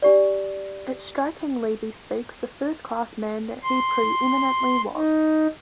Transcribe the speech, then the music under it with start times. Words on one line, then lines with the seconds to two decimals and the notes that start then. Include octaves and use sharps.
It strikingly bespeaks the first-class man that he pre-eminently was.
0.02 D4 G4 D5
3.64 C6
4.95 D#4